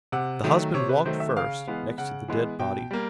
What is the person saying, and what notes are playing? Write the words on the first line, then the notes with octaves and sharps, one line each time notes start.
The husband walked first, next to the dead body.
C3 F#5
D#3 F#3 A3
C3 C#5
B4
D#3 F#3 A3 C5
E5
C#3 F5
E3 G#3 B3
C#3 F#5
E3 G#3 B3
B2 G5
G3 A#3